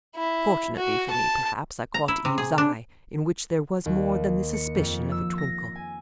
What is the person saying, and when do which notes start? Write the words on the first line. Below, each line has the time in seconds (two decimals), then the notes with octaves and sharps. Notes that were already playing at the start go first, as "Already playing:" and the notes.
Fortunately for me, perhaps, I caught Eve's eye, in which there was more than the suspicion of a twinkle.
0.16 E4
0.77 F#4
1.10 A5
1.94 A#5
2.08 E4
2.25 C3
2.38 G#4
2.58 D4
3.86 D#2
4.53 C#7
4.75 F2
5.12 E6
5.38 A#6
5.75 G#5